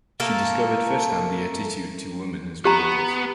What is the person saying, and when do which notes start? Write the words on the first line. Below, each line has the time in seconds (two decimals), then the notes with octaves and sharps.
She discovered first hand the attitude to women as workers.
0.20 A3 A#3 A4 A#4
2.65 B3 G4 A#5